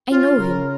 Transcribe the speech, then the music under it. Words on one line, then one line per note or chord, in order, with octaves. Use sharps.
"I know him."
C#4 F4
C#3 A#4